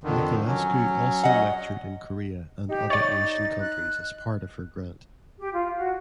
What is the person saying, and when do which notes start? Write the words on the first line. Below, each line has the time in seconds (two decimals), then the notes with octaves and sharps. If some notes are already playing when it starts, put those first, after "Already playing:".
Nicolescu also lectured in Korea and other Asian countries as part of her grant.
0.04 F2 D3 D#3
0.46 F#3 C#4
1.23 D#5 F#5
2.69 D#4 G4
2.90 C#5 D5 A6
3.61 F#6
5.38 G4
5.53 F4
5.77 F#4